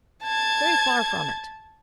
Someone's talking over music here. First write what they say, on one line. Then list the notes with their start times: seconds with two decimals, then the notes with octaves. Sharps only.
Very far from it.
0.24 A5 G#6